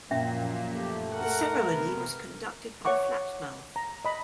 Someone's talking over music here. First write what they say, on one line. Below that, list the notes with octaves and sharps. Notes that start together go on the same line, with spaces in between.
The ceremony was conducted by Flat Mouth.
F#2 A#2 F3 C#4 E5 G5
A3 G4
A#4 F#5
C3 B3
C#5 E5 F#5 C#6 D6
A#5
D#5 B5